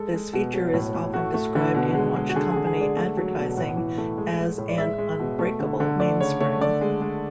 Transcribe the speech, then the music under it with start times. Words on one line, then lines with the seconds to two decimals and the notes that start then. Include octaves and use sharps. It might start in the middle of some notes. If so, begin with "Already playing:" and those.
This feature is often described in watch company advertising as an "unbreakable mainspring".
Already playing: G#3 A4
0.14 G#3
0.33 B2
0.54 F#3
0.74 A2
0.94 A2
1.14 A3 F#4
1.34 A3
1.55 D3
1.75 B2
1.95 G#3
2.15 G#3
2.29 F#4
2.36 D3 G#4
2.51 G#4
2.57 D3
2.66 G#4
2.76 G#3 D5
2.96 A3
3.17 F#3
3.37 B2
3.57 A2 F#5
3.77 E3
3.98 A3
4.18 G#3
4.38 G#3
4.58 A2
4.69 D5
4.78 G#3 E5
4.98 G#3
5.19 B2
5.39 A3
5.60 D3
5.80 D3
6.00 A3 D5
6.20 C#3 C#5
6.40 A3 C#5
6.61 D3 D5
6.81 G#3
7.01 G#3